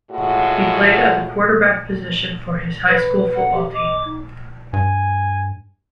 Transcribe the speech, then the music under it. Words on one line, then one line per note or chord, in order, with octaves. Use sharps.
He played at the quarterback position for his high school football team.
A2 G#3 F4 F#4
B4
F#5
G4
D#5 D6
D#4
G2 G#5